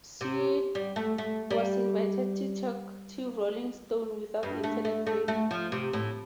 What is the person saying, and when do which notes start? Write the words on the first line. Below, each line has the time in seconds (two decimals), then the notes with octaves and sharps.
Suede was invited to talk to Rolling Stone about internet fame.
0.21 C3
0.75 G3
0.96 A3
1.18 A3
1.51 G3
4.43 G2
4.64 A3
4.85 A3
5.06 A3
5.28 A3
5.51 F3
5.72 C3
5.93 A2